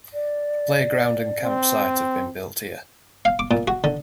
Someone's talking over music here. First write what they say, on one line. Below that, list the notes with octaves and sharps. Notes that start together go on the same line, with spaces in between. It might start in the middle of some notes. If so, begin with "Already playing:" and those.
A playground and campsite have been built here.
D5
C4
F5
D6
A#2
F#4
D3